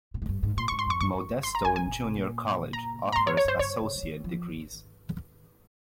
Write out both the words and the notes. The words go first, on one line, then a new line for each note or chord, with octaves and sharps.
Modesto Junior College offers Associate Degrees.
A#2
G#2
G2
G#2
A#2 C6
G#2 C#6
C6
F2 C#6
G2 C#6
F2
G2
C6
A#5
F2 G#5
G#5
A#2
C3
A#2
A#5
A#5
G#2 C6
C#5
C#5
G2 C5
G2 C#5
C#3
F3
D#3
F3